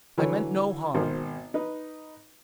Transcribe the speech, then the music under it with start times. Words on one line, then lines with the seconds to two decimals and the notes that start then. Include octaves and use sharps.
I meant no harm.
0.18 D3 E3 F#3 B4 C#5
0.95 G#1 B2 A#4 C5
1.54 D#4 B4